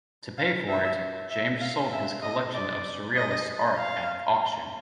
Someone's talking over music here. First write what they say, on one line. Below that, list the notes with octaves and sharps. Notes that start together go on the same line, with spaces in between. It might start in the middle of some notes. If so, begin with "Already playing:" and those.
To pay for it, James sold his collection of Surrealist art at auction.
F5
E5
E5
F5
E5
D#5
D5
D#5
F5